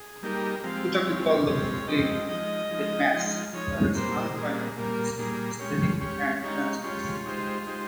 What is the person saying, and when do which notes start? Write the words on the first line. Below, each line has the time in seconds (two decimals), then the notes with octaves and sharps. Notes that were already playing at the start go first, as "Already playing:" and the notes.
Kotaku called the film "a mess" for its un-Final Fantasy aesthetic and fan service.
Already playing: G#4
0.22 G3 A#3 D#4 G4 A#4
0.64 F3 G#3 C4 G4 F5
1.05 F3 G#3 C4 G4 C#5
1.46 F3 G#3 C4 G4 C#5
1.87 F3 G#3 C4 G4 D#5
2.29 F3 G#3 D#4 D#5
2.70 F3 G#3 D#4
3.11 F3 G#3 D#4
3.53 F3 G#3 D#4 C#5
3.95 A#2 G3 A#3 C5
4.36 A#2 G3 A#3 G#4
4.77 A#2 G3 A#3 A#4
5.18 A#2 G3 A#3 G#4
5.59 G#3 C#4 G4 C#5
6.01 G#3 C#4 G4 C#5
6.42 G#3 C#4 D#4 G4 C#5
6.84 G#3 C#4 F4 G4 C#5
7.25 G#3 D#4 G4 C5
7.67 G#3 D#4 G4 C5